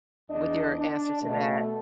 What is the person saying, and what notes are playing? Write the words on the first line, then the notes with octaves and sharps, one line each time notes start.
with your answers to that.
E2 D4 D#5
D4
B2 A3